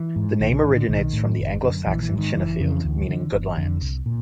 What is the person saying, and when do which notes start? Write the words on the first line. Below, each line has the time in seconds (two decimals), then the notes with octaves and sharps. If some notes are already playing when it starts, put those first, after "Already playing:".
The name originates from the Anglo-Saxon "Chenefield", meaning 'good lands'.
Already playing: E3
0.16 G#2
0.40 B1 D#3
0.52 D3
0.64 A2 D#3
0.76 D3
0.88 B1 D#3
1.13 A2
1.38 F#1
1.62 F#2 D3
1.87 A#1 E3
2.03 E3
2.11 G#2
2.18 D#3
2.34 F#1 E3
2.59 F2 C#3
2.84 D2
3.08 D3
3.32 G1
3.57 F2 D3
3.81 C2
4.06 A#2